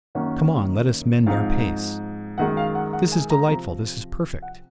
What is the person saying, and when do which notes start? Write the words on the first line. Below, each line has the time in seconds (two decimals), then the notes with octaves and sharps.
Come on, let us mend our pace.' This is delightful, this is perfect.
0.15 F#2 D#3 A#3 C#4 F#5
1.26 G#2 F3 C4 D#4 F5
2.38 F#2 D#3 G#3 F#5
2.57 F5
2.75 F#5
2.93 F#5
3.12 G#5
3.30 A#5
3.49 C3 F3 C4
4.42 F#5